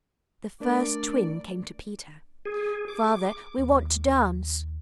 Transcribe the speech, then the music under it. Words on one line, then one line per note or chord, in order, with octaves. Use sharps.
The first twin came to Peter. 'Father, we want to dance.'
A3 D4 A#4 D5
G#4
D6
D#2 A#3